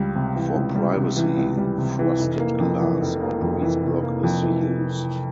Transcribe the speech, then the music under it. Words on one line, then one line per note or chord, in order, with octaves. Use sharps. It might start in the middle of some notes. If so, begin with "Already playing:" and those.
For privacy, frosted glass or breeze block is used.
Already playing: C#2 G3
C3
E3
C#2
G3
C3
E3
C#2
G3
C3
E3
F1
A#3
F2
E3
F1
A#3
F2
E3
F1
A#3
F2
E3